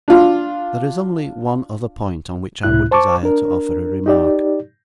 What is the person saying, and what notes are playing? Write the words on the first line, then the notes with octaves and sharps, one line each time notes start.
There is only one other point, on which I would desire to offer a remark.
D4 F4
C#2 A2 C3 E4 F#6
C5 A5 C#6 D6
D4 A#4
D#4 G4 D5